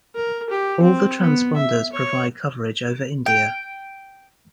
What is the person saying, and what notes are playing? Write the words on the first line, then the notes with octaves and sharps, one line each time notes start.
All the transponders provide coverage over India.
A#4
G4
C4
B3
E5
C#5
G5